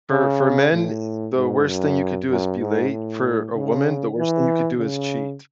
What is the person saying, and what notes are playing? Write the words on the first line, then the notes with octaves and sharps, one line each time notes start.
For for men, the worst thing you could do is be late. For a woman, the worst thing you could do is cheat.
C#3
A2
G#2
F#2
F#2
G#2
A2
C#3
E3
C#3